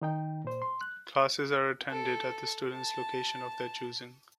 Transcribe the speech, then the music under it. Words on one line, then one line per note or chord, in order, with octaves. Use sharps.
Classes are attended at the students location of their choosing.
D#3 D#4 G5
A#2 C5
C6
F#6
A4
A5